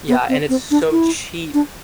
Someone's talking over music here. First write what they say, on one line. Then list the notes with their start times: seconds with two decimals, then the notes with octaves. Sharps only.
Yeah, and it's so cheap.
0.08 B3
0.29 C4
0.49 C4
0.71 D4
0.91 E4
1.54 D4